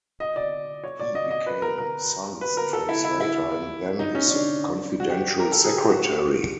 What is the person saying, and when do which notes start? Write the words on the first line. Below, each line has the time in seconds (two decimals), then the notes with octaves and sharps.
He became Sun's translator and then his confidential secretary.
0.20 D#5
0.36 D5
0.84 C#5
1.00 D5
1.15 D#5
1.31 D#5
1.46 B4
1.62 A#4
1.78 A#4
2.41 B4
2.57 A#4
2.73 A4
2.89 E4
3.05 E4
3.20 E4
3.99 D#4
4.15 C#4
4.27 C#4
4.31 D4
5.00 F#4
5.10 G4
5.40 A#4
5.52 A4
5.64 G#4
5.77 G4
5.89 F#4